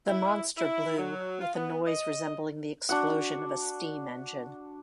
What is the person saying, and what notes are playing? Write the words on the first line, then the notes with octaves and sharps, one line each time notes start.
The monster blew, with a noise resembling the explosion of a steam-engine.
E4
E4
F#3
F4
B3
D#5
D4 F#4 F#5